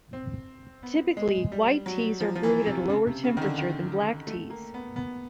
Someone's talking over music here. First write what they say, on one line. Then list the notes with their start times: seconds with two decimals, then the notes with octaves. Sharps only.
Typically, white teas are brewed at a lower temperature than black teas.
0.13 C4
0.83 B3
1.17 G#3
1.52 G3
1.86 F#3
2.20 F3
2.35 F3
2.43 E3
2.66 C3
2.89 C#3
3.07 C3
3.24 C#3
3.37 D#3
3.42 D3
3.58 D#3
4.27 A3
4.50 A#3
4.74 B3
4.96 B3